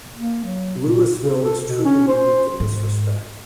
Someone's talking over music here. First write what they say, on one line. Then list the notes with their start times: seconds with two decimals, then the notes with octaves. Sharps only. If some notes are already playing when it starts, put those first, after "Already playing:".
Lewisville is truly unique in this respect.
0.16 A#3
0.45 F#3
0.80 A#2
1.22 C#3
1.41 A4
1.67 B2
1.85 C#4
2.08 C5
2.60 G#2